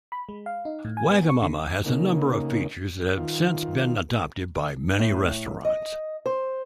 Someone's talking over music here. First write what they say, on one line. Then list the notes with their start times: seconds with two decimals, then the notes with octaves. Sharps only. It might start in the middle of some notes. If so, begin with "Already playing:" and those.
Wagamama has a number of features that have since been adopted by many restaurants.
0.12 B5
0.29 G#3
0.46 F5
0.65 D#4
0.85 A2
0.97 G#5
1.11 B3
1.29 C#6
1.42 D3
1.86 C#3 A#3 D#4
3.18 D#3 F4
4.99 A2
5.65 D#5
6.26 C5